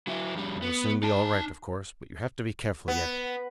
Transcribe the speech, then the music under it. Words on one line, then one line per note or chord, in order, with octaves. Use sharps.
You'll soon be all right, of course, but you have to be careful yet.
F#3 E4
F2 G3
B3
D#4 A5
B3